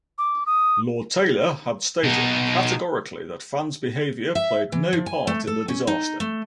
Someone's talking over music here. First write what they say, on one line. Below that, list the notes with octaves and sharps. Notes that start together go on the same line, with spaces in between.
Lord Taylor had stated categorically that fans' behaviour played no part in the disaster.
D6
D#6
B2 D#4
E5
E3
F3
G#5
A3
A4
C#4
D#4
A3